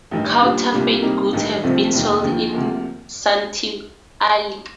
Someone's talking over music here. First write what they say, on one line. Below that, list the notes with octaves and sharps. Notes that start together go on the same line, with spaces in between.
Counterfeit goods have been sold in Santee Alley.
A1 G2 D#3
A#2 G3 D4
C2 A#2 G3 A#3 D4
C3 G3 A#3 D#4
A1 G2 D#3
C2 C3 F3 A3 C4
F1 D#2 D#3
D#2 D3 F3
D2 C3 F3 A#3